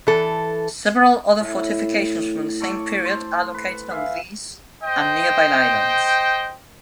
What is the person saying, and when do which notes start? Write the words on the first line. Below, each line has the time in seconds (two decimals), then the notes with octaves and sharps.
Several other fortifications from the same period are located on this, and nearby islands.
0.07 E3 A4
1.40 A2
2.61 A4 C#5 D6
3.05 C5
3.54 B4
3.90 G#4 E5 F5
4.84 C5 D#5 G5